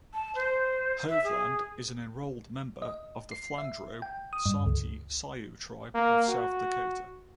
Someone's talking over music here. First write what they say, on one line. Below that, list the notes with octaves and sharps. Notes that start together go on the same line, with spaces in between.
Hovland is an enrolled member of the Flandreau Santee Sioux Tribe of South Dakota.
A5
C5
E5
G#4
D#5
C7
E5
G5
D#6
G2
C#2
A#3
F#4